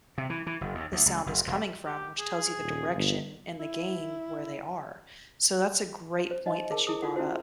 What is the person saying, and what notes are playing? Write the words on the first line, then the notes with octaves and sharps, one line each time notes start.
the sound is coming from, which tells you the direction in the game where they are. So that's a great point that you brought up.
C3
E3
E3
F#1
D#2
D2
C#2
F#1
E1
G4
G#4
D#1
G1
E4
C5
D#4 D#5
G#4 A#4 A5
E4 G#4 D#6
D#4 F4 A4 F#5
C#4 E4 F#4 C5